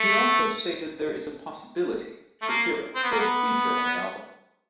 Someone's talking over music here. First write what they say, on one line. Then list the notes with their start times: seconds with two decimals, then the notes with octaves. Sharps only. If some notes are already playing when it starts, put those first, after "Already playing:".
He also stated there is a possibility Shakira could feature on the album.
Already playing: A3
2.42 A3
2.48 A#3
2.95 C4
3.04 B3
3.11 A#3
3.20 B3